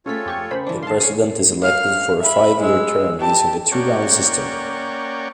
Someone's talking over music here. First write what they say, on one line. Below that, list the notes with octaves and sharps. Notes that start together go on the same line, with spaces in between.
The President is elected for a five-year term using the two-round system.
A3 C4 C#4 F4 G#4 A4 C#5 B6
F2 G4 C#6
C#3 A#4 C5 B5
E3 D4
G#2 D#3 F5 A5 C6
D3 G#4 A4 C#5
F5 F6
E5 B5
G#3 E6
G4 A5
A#3 C#4 C#5 D5 F#5 G5